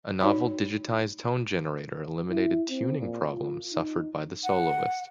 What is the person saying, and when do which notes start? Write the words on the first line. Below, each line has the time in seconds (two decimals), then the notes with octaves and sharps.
A novel "digitized" tone generator eliminated tuning problems suffered by the Soloist.
0.20 D#4 F#4 C#5 D5 G5 B5
2.31 E4
2.70 C4
2.99 A#2
3.33 F4
3.74 D#4
4.44 F#5